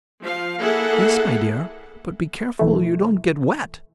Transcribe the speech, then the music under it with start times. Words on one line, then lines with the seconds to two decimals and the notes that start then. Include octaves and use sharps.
"Yes, my dear, but be careful you don't get wet."
0.22 F3 F5
0.60 A#3 E4 G#4 A4 F#5
2.59 B1 E3 A3